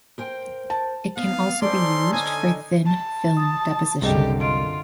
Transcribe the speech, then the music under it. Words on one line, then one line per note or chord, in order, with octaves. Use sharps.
It can also be used for thin film deposition.
A#4 C5 G5
A5
B3 F5
C#4 D#4 A4 C5 D5 C6
D3 D#5 G#5
A5
D#6 A6
C2 F#2 D3 G4 G#4 D#5 G5
F4 D#5 C6 D7